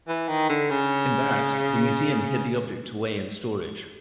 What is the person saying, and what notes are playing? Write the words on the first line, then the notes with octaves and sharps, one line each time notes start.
Embarrassed, the museum hid the object away in storage.
E3
D#3
D3
C#3